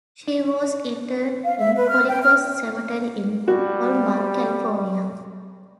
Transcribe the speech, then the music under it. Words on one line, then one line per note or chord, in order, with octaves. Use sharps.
She was interred in Holy Cross Cemetery in Colma, California.
F5
E5
B4
F6
G5
F6
G3 F#4